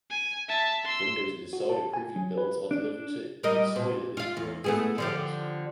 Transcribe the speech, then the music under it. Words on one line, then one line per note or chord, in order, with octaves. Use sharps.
Windows Insider Preview builds are delivered to Insiders in three different channels.
G#5
E5 A5
C6 E6
F#4
A5
G#5
F#3
B4
D4
G3 A#4 D#5
A#2
F4 F5
E2
A3 B3 G#4
D3 F3 G4